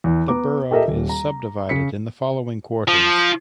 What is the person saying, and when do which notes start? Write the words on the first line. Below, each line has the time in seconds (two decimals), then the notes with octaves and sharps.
The borough is subdivided in the following quarters.
0.04 E2
0.28 B3 A#5 D6
0.71 G4 A4 A#4 D#5 E5
0.88 D#1
1.09 A#5
1.69 C#3 B6 C#7
2.88 F3